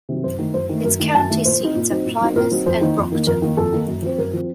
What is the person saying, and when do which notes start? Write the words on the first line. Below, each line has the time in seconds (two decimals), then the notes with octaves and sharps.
Its county seats are Plymouth and Brockton.
0.09 C3 D#3 F#3
0.24 F#2 C5
0.39 D#3 A3
0.54 F#2 C5
0.69 D#3 A3
0.84 F#2 A#4
0.99 D#3 A3
1.15 F#2 A5
1.30 D#3 A3
1.45 A#2 C5
1.60 F#3 C4 D#4
1.76 A#2
1.90 F#3 C4 D#4
2.05 A#2
2.21 F#3 C4 D#4
2.36 A#2 A#4
2.51 F#3 C4 D#4
2.66 F2 C5
2.81 D#3 A#3 D#4
2.97 F2
3.12 D#3 A#3 D#4
3.27 F2 A#4
3.42 D#3 A#3 D#4
3.57 F2 A4
3.72 D#3 A#3 D#4
3.87 F#2
4.02 F3 C4
4.18 F#2 A#4
4.33 F3 C4